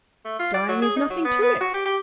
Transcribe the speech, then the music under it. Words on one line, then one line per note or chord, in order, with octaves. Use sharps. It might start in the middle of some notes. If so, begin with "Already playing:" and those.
Dying is nothing to it.
A3
F4
D5
F#3
G#4
D#4
F#3
B3
B3
F#4
G4
G4